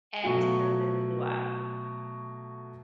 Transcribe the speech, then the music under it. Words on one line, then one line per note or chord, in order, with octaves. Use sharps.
And so this blew up.
B2 F#3 A3 F4 F#4